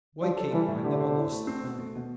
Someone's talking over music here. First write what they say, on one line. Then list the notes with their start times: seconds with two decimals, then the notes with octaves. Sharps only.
Waking, I never lost that fear.
0.21 F3 D4
0.37 A4
0.52 E3 G3
0.68 A2
0.84 D3 G4
1.00 C5
1.16 E4
1.32 A3
1.47 C4
1.63 B2
1.79 A3
1.95 B2